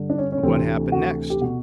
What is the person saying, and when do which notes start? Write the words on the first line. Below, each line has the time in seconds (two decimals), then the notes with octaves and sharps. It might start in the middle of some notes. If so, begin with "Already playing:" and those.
"What happened next?"
Already playing: G2 D3
0.10 D4
0.18 C#4
0.32 C#4
0.43 D2 C3 E3 C4
0.92 F#4
1.30 G4
1.41 B2 F#4